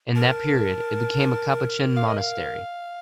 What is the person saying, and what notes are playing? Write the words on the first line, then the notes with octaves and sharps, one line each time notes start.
In that period it became a Capuchin monastery.
A#4 A5
F5
D#5
F5